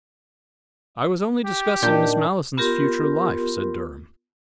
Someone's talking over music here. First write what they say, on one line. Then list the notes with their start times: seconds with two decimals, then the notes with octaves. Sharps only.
"I was only discussing Miss Malleson's future life," said Durham.
1.45 G4
1.82 A#2 D#3 D4 G6
2.57 B3 F4 G4 A#4 C6